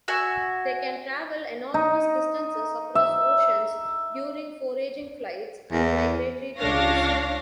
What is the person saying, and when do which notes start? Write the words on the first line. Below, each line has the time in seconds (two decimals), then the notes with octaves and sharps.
They can travel enormous distances across oceans during foraging flights and migratory journeys.
0.08 F#4 E5 G#5
1.74 D#4
2.95 E5
5.72 E2
6.58 C#2 D4 C#5 F5 A#6